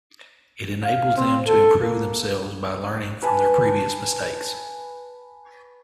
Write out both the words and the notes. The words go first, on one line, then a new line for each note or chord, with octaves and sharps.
It enables them to improve themselves by learning from their previous mistakes.
F5
C4
A4
A#3
B4 G#5 A5